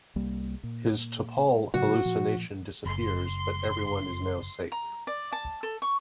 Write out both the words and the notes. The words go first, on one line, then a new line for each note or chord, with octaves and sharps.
His T'Pol hallucination disappears, but everyone is now safe.
C2 G3 A#3
A#2
A2 C#3 F#3 F#4
A#2 F3
F#1 C6
A#5
D5
A5
A4
C#6